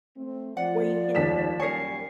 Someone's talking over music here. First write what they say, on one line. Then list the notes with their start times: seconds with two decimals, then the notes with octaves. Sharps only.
where you can
0.16 A3 C4
0.57 F3 D5 F#5
1.15 D#2 B6 E7
1.60 F#2 G3 A#3 A#4 C#5 G#5 C7